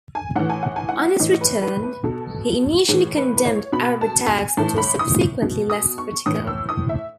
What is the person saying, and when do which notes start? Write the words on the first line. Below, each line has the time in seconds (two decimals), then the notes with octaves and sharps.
On his return, he initially condemned Arab attacks but was subsequently less critical.
0.15 G#5
0.36 A2 E3 F#5
0.50 G#5
0.63 F#5
0.76 G#5
0.89 F#5
1.20 A2 E3 D#5
1.41 B4
1.62 B4
1.83 B4
2.04 B2 A4
2.88 A2 E3 G#4
3.17 B4
3.37 B4
3.45 C#5
3.72 B2 B5
4.01 A5
4.29 G#5
4.57 A2 E3 A5
4.78 B5
4.99 D#6
5.42 B2
5.70 D#6
5.98 C#6
6.26 A2 E3 D#6
6.47 E6
6.69 D#6
6.89 E5